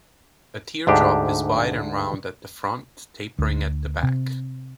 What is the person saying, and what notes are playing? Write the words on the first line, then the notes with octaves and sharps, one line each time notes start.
A teardrop is wide and round at the front, tapering at the back.
D2 G#2 D4 G4
D2
C3